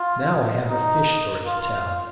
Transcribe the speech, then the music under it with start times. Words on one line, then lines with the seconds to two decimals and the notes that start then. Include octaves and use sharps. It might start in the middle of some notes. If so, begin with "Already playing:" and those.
Now I have a fish story to tell.
Already playing: F4
0.69 D#4
1.47 F4